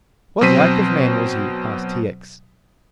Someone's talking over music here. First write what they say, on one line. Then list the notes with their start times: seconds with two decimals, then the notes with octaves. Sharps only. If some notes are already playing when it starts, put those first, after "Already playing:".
"What like of man was he?" asked T. X.
0.41 B2 F#3 C4 C5 B6 D#7